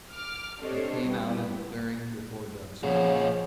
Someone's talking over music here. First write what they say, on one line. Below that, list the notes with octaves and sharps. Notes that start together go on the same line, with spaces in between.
They came out in a clearing, before dusk.
D6 F6
C4 D4 G4 A4 C#5 D#5
G3 B3 E4 G4
A#2 C#3 F3 F#4 C#5